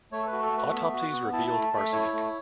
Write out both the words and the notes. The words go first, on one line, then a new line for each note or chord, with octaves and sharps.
Autopsies revealed arsenic.
A3 C#5
A4
B4
F#4
A4
A3
B4
B3 E5
F#4
F#5
B3
E4 A5
A5
A3
A5
A3 E5
E4 C#5
A3